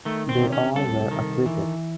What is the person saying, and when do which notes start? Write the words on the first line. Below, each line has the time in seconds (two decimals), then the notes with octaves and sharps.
They all were acquitted.
0.05 D#3 A3
0.29 C4
0.40 C3
0.52 C#4
0.75 C2 A4
1.11 D#3
1.46 E3